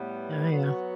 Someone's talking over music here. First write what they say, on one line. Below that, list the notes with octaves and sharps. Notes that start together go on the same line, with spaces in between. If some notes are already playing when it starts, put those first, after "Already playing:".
Oh, yeah.
Already playing: A2 G3 B3
F#3 B3 F#4